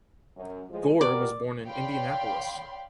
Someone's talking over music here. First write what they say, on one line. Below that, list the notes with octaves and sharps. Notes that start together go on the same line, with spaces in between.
Gore was born in Indianapolis.
F#2
A2 F3 G#3
B2 G4 A#4 D5
C#5 D5 F5 G5 B5 C6